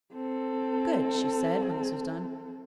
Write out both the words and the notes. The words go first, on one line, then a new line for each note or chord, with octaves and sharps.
"Good!" she said, when this was done.
C4 A4